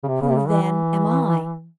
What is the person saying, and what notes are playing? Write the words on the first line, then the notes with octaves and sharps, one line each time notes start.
"Who, then, am I?"
C#3
C3
C#3
C3
C#3
E3
E3